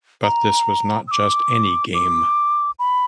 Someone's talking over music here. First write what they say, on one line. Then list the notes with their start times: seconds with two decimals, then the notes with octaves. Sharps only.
But this was not just any game.
0.23 A#5
1.08 E6
1.11 D6
1.94 D6
2.79 B5